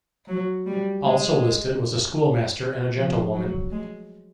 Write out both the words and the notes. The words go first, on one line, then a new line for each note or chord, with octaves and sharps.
Also listed was a schoolmaster and a gentlewoman.
F#3
G3
G#3
F3
F#3
G#3